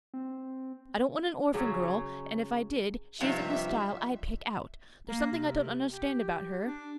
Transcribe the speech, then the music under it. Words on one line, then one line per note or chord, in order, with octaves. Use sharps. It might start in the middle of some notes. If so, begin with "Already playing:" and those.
I don't want an orphan girl and if I did she isn't the style I'd pick out. There's something I don't understand about her.
C4
C#3 F#3 C#4
G2 C3 F3 G3 D#4 E5
A#3
C3
G4
D4